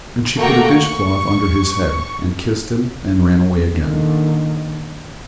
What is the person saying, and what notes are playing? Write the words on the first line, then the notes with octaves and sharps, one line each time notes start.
And she put a dish-cloth under his head, and kissed him, and ran away again.
A3 A#3 F#4 G5 A#5 C#6
C#6
A#2 D3 D#3